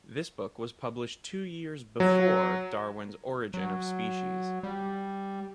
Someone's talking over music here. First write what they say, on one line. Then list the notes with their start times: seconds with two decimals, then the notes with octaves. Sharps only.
This book was published two years "before" Darwin's "Origin of Species".
2.00 F#3
3.54 F#3
4.63 G3